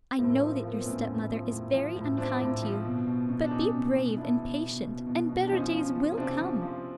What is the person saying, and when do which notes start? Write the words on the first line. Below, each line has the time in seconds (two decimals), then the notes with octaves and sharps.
I know that your stepmother is very unkind to you, but be brave and patient, and better days will come.
0.18 A2 A#3 C4
0.41 F3
0.59 A#3
0.63 F3 B3
0.76 C4
0.85 A2 B3 C#4
1.07 A2
1.30 F3
1.51 A2
1.74 F3
1.96 A2
2.18 F3 C4 D4
2.40 A2
2.62 F3
2.85 B2
3.07 B2
3.29 B2
3.44 D4
3.51 B2 C#4 D#4
3.74 B2
3.96 B2
4.18 B2 D4 E4
4.40 B2
4.62 B2
4.84 B2
5.07 B2
5.29 B2
5.43 D4
5.51 F3 C#4 D#4
5.73 F3
5.96 F3
6.12 C#4
6.17 C3 C4 D4
6.40 F3
6.62 F3